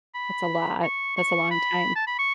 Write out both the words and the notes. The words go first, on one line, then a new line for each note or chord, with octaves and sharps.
That's a lot. That's a long time.
B5
C#6
C#6
B5
A5
B5
C#6